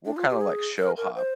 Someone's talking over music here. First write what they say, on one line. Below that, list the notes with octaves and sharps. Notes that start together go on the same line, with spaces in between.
we'll kinda like show hop.
D4
F4
G4
G#4
A#4
A#4
C5